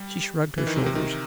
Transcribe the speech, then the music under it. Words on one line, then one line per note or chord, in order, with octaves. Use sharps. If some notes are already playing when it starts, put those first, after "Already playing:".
She shrugged her shoulders.
Already playing: G3
E3
D#3
C3
C3
D#3